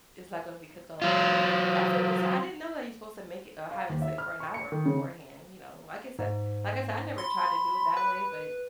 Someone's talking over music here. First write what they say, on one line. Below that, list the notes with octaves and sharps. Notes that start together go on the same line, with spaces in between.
It's not gonna be cooked all the way. That's interesting. I didn't know that you're supposed to make it uh, have it sit for an hour beforehand, you know, like I said like I said, I never tried to do it that way, but
F#3 F4
F5
D#2
E5
F6
C#6
C#7
D#3
C#3
G#2
B5 C6
B4